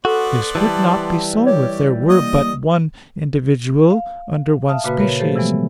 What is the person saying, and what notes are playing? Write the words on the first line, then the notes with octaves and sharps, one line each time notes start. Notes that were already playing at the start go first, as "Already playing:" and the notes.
But this would not be so if there were but one individual under one species.
B3 F#4 A4 C5 D5
E3 G3 A5
G4 C#5
A#3 D#5 D#6
F5
E5 F5 A5 D#6 F6
A#2 C#3 A#3 F#4 B4 B5
A#4 B4 C#5 B5
F3 A3 G4 A4 C5
C3 E3 F#3 G#3 B3